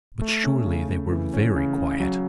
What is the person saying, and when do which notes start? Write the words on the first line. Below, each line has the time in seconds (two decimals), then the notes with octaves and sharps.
But surely they were very quiet!
0.21 A3
0.44 C#4
0.66 C#3
0.89 C#3
1.11 E3
1.33 C#4
1.56 C#3
1.78 C#3
2.00 F#3